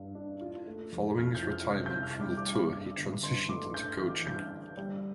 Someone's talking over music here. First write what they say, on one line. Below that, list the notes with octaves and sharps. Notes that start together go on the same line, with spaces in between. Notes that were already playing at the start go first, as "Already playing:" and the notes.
Following his retirement from the tour he transitioned into coaching.
Already playing: G2
D4
F4
A3
F1
F3 F6
G6
F2
F6
C3 F6
G6
C2
F6
G3 D6
D6
G3
D6
G2
G1
G1 C6
A3 D6
D3 G6
F6
A1
D6
G2 G6
D3
G3